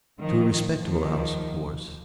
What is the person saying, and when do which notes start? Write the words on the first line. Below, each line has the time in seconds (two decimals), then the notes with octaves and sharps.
"To a respectable house, of course."
0.19 D#3 F3
0.73 D#3 F3